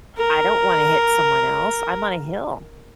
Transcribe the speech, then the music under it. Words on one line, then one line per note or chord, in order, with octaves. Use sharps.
I don't wanna hit someone else, I'm on a hill.
A#4